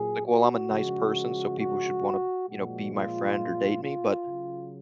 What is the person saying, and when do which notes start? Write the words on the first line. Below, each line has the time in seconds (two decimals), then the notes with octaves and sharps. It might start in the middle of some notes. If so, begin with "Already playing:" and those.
Like, "Well, I'm a nice person, so people should wanna," you know, "be my friend or date me," but
Already playing: A#2 F#3 G#4
0.25 F#4
0.69 C#3 F3 G#3
1.58 F#4
2.47 A#2 F3 G#3 F#4
2.92 F4
3.81 F4
4.26 C#3 F#3